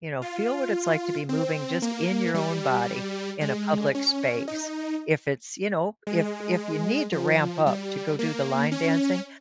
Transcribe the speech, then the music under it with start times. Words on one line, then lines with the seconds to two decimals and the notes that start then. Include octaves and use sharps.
you know, feel what it's like to be moving just in your own body in a public space. If it's, you know if if you need to ramp up to go do the line dancing,
0.22 F4
1.29 C4
1.82 A#3
2.34 G3
3.41 G#3
3.95 C#4
4.48 D#4
6.07 G#3
7.12 F3
7.66 G3
8.19 A#3
8.72 C#4